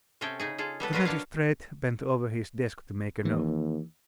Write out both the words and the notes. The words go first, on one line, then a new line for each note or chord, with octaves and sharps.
The magistrate bent over his desk to make a note.
C3 C#4 G#4 A4 G5
C#3 D#4 G#4
F4 G#4 A4
G3 B3 A4 B4
F4 F#4 A#4 B4 D#5 F5
F#3 D4 C#5 F5
D#2 E3